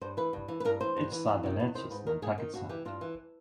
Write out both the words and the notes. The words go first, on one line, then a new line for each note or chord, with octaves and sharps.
Its southern edge is Nantucket Sound.
G2 C5
E3 B4
G2
E3
B4
G2 A#4
E3 C5
G2
E3
E2
C3 D#3
E2 B4
C3 D#3 C5
G#2 B4
D#3 A#4
G#2 G#4
D#3 D#4
G2 F#4
E3 G4
G2 F4
E3